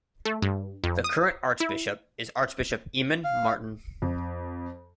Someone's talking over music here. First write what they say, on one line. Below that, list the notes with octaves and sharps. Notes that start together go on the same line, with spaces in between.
The current Archbishop is Archbishop Eamon Martin.
A3
G2
F2
D#6
E4
F5
F2